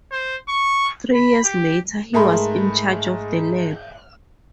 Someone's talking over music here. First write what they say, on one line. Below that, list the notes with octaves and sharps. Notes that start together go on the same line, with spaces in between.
Three years later, he was in charge of the lab.
C5
C#6
B5
G4
G#2 A3 G#4 A#4 B5 C6